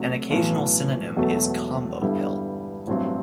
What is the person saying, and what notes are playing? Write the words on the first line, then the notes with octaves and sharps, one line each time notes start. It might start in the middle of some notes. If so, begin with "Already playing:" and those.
An occasional synonym is "combopill".
Already playing: D2 C3 F#3 A3
B1 A2 E3
E1 E2 B2 F#3 A3
G2 D3 G3 B3 E4
A1 G2 F#3 C4 E4